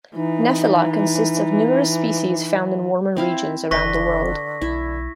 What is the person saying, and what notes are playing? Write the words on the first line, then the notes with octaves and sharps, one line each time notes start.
"Nephila" consists of numerous species found in warmer regions around the world.
E3 D#4
C4 E4 E5 F5
F#1 D3 B4 C#6 A#6 B6
B1 E4